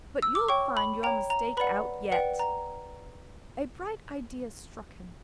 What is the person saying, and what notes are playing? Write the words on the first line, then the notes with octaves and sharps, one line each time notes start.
But you'll find your mistake out yet.' A bright idea struck him.
E6
D6
C#5 G5 C#6
B5
C#5 G5 A#5
A#5
B4 D5 F#5 B5
B4 D5 F#5 G5
A#5